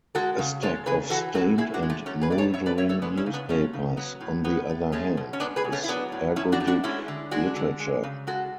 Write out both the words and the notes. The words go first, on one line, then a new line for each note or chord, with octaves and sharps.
A stack of stained and mouldering newspapers, on the other hand, is ergodic literature.
G#3 F#4 A4
C#3
G#3 A4 C#5
C#3 G#4 B4
E3 F#4 A4
A2 F#4 A4
A2 E4 G#4
D4 F#4
G#3
A3
F#3 A3 C#4
G#4 B4
B2 D5
A4 C#5
B2 C#5 E5
B4 D5
A3 C#5 E5
A4 C#5
G#3 B3 D4
C#4 E4
C#3
B3 D4
G#3 A3 C#4
C#3
F#3 B3
A2
A2 B3
A3
G#3 A3 C#4
B2
C#4
G#3 B3 D4
G#4 B4
B2
A3 C#4
E4
F#3 B3 D4
A2
A2 C#4 E4
D4 F#4
A3
D4 F#4
G#3 C#4 E4
D3
G#3 D4 F#4
D3
G#3
C#3
G#3 F#4 A4